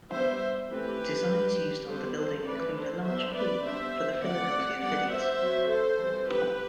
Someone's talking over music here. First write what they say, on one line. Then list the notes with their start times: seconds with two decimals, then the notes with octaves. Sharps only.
Designs used on the building include a large "P" for the Philadelphia Phillies.
0.11 G3 B3 D4 C5 E5
0.70 E3 A3 C4 G4 B4
1.29 G3 D4
1.88 G3 B3 D4 A4 C5
2.17 A4 C5
2.46 E3 A3 D4 B4 D5
2.76 A4 C5
3.05 G3 B3 D4 C5 E5
3.35 B4 D5
3.64 G3 B3 D4 C5 E5
4.22 D3 A3 C4 D5 F#5
4.81 G3 B3 D4 D5 F#5
5.11 C5 E5
5.40 F#3 C4
5.70 A4 C5
5.99 E3 G3 C4
6.28 G4 B4